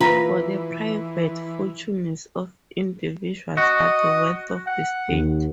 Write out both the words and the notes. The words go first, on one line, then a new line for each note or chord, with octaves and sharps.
For the private fortunes of individuals are the wealth of the state.
E3 F4 B4 A#5
F#4 D#5
F#5
D#2